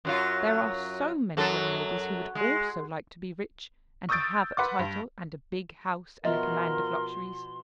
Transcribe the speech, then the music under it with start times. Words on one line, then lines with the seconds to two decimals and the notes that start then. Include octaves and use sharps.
There are so many young ladies who would also like to be rich, and to have a title, and a big house, and a command of luxuries!
0.05 F#2 F#3 F4
1.37 F#2 F#3 A4
2.35 G#3
4.09 C#6 D#6 E6 G6 A6 D7
4.57 B4 F#5 C6 D6
4.79 G2
6.25 B2 F3 F#4 A#4 D#5 E5 C6